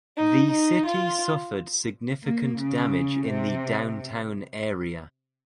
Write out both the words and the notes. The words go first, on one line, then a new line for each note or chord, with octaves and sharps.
The city suffered significant damage in the downtown area.
D#4
D#4
F4
A#3
C#3
C3